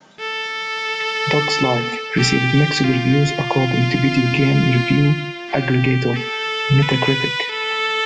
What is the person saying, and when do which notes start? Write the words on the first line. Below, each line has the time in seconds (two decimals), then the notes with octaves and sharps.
"Dog's Life" received "mixed" reviews according to video game review aggregator Metacritic.
0.19 A4
2.18 G4
2.84 F4
5.49 G4
6.16 A4
6.82 B4
7.49 A4